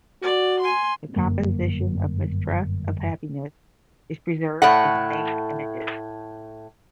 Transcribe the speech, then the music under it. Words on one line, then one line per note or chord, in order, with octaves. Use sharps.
The composition of mistrust of happiness is preserved in the main images.
F#4 D5
G#5 C6
G1 F#2 A#3
A2 A3 F#5